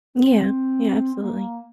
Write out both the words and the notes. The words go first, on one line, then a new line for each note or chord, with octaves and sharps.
Yeah, yeah, absolutely.
C4
C4
A#3